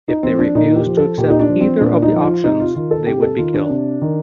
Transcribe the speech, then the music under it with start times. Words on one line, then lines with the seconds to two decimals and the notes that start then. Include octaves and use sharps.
If they refused to accept either of the options they would be killed.
0.08 D#4
0.23 F3 C4
0.39 D4
0.55 A#2 D#4
0.76 G4
0.86 F3
0.97 A4
1.18 A#2 G4
1.30 D#4
1.39 D4
1.49 F3
1.61 C4
1.80 A#2 D4
2.02 D#4
2.13 F3
2.23 F4
2.43 C3 D#4
2.60 F4
2.75 D#3 F4
2.91 A4
3.07 C3 G4
3.22 A4
3.38 D#3 F4
3.54 D4
3.69 C3
4.02 D#3